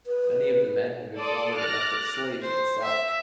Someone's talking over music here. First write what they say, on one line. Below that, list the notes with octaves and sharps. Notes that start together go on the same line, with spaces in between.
Many of the men had been former domestic slaves in the South.
B4
A4 D5 C6 D#6
D6 F6 F#6 A6 A#6
C5
E5